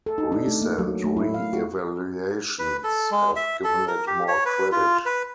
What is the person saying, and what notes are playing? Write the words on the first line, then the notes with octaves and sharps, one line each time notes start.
Recent re-evaluations have given it more credit.
A4
D#4
D4
A3
A#3
F#3
A3
E4
F5
F#4
B4
A4
G#3
E5
A4
A#4
G4
C#5
B4
F4
B4